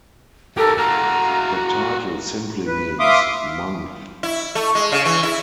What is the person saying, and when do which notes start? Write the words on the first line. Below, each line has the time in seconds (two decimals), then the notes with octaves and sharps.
The title simply means "month".
0.57 G4 A4 A#4
0.78 F#4 F5 A#5
2.66 B4
2.99 E5 F5 C6 D6 D#6
4.23 E4
4.55 A3
4.75 G#3
4.92 C#3
5.05 E3
5.23 E4